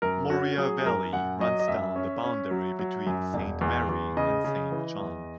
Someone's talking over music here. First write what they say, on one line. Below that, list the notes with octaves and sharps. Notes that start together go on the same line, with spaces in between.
Mourier Valley runs down the boundary between Saint Mary and Saint John.
F#2 A#4
C#4 F#4
F#3 G#4
G#4
F#2 A#4
F#2 F#5
F#3 D#5
D#5
F#2 E5
C#4
C#4
F#3
F#3
F#2
E1
E2
E2
C#3 D#5
C#3
E3
E2